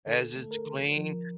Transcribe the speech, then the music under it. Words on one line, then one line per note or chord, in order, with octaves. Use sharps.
As it's clean,
D3 A4
A3
A#4
D3
F3